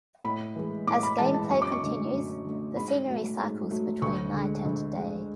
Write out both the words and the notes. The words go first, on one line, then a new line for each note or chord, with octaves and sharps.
As game play continues, the scenery cycles between night and day.
A2 B5
E3 G#3
A2 D6
B5
E3 G#3 A5
A5
F#2 C#6
D6
C#6
D3 A3
F#2
D3 A3
G#2 B5
F#3 A3
G#2
F#3 A3
D2 C#6
D3 G#3
D2
D3 G#3